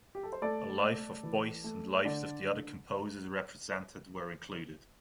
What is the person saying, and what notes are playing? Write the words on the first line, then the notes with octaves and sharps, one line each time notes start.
A life of Boyce and lives of the other composers represented were included.
G4
A4
C5
A3 A4 D5
A3
E3
A3
D3 A4 D5